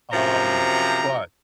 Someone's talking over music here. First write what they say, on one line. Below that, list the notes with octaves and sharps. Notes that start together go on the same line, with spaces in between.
um, but,
F#2 C3 F3 A#5